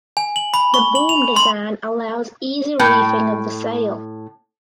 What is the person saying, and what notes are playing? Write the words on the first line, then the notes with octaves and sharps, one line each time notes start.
The boom design allows easy reefing of the sail.
G#5
F#7
B5
C#6
F#7
F7
C6
A2 G5